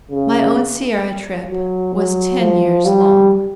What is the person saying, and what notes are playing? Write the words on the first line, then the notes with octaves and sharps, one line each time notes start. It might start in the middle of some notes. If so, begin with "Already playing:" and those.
My own Sierra trip was ten years long.
C#3
F#3
F#3
F3
G3